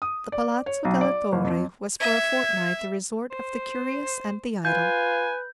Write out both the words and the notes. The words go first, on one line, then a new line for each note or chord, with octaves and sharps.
The Palazzo della Torre was for a fortnight the resort of the curious and the idle.
D#6
D5
C#5
B1
D5
F#1
F2
E5 G#6
C5
F4 B4 G#5 G6